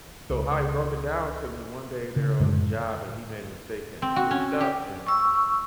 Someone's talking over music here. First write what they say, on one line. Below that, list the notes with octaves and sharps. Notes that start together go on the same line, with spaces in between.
So, how he broke it down to me, one day they're on the job, and he made a mistake and switched up, and
C#2
C#3
F#2 A2 D3 G#3
C4
F#4
C#4
G4
C#6 E6